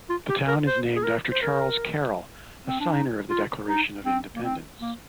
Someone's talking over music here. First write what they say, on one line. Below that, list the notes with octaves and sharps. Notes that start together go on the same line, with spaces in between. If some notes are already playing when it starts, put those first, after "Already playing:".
The town is named after Charles Carroll, a signer of the Declaration of Independence.
F4
G4
A#4
C5
G#4
A#4
C5
A#4
C4
D4
D#4
F4
D#4
C4
A#3
C4
A#3